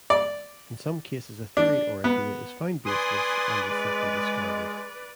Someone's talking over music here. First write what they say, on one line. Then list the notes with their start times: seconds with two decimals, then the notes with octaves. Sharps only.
In some cases a theory or idea is found baseless and is simply discarded.
0.10 D5
1.57 D4
2.04 B3
2.86 B4 D5 G#5 C6 D#6
3.69 G#3